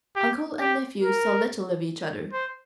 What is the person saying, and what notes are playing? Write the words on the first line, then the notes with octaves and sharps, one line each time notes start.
Uncle and nephew saw little of each other.
G4
G4
A#4
C5